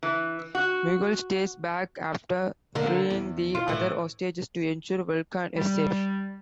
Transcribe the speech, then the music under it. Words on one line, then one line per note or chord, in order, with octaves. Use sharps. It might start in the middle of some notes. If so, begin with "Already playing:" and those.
Miguel stays back after freeing the other hostages to ensure Vulcan is safe.
E3
F#4
D3 A#3
E2
F4
A2 E3
G3